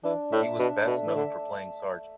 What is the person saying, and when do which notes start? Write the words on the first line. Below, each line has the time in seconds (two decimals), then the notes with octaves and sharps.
He was best known for playing Sgt.
0.04 E3 D4
0.32 A2 E5
0.59 B2 D4
0.87 B2 A3
1.07 E3
1.16 D3 E5